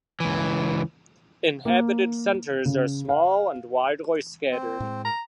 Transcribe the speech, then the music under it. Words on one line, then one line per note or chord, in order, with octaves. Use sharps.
Inhabited centers are small and widely scattered.
C#2 E3
A#3
C#3
F5
C4
A2 G#3
A#5